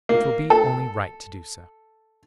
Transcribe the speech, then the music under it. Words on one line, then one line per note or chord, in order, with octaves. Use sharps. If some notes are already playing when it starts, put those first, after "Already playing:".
"It will be only right to do so."
A#3
A4